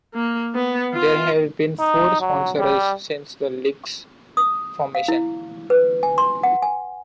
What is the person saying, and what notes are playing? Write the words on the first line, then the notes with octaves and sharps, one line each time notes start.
There have been four sponsors since the league's formation.
A#3
B3
F4
D#4
F#3
G3
D#6
F5
E4
B4
G#5
C6
F#5
G#5